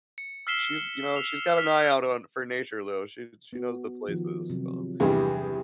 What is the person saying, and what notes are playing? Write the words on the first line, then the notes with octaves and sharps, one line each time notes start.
she's, you know, she's got an eye out on for nature though, she, she knows the places." so,
C#7
E6 F6 B6 C7 E7 G7
F7
F6 B6
B3 F#4
D#3 F3
C3 F#3
E2 G2 C3 C4 G4 G#4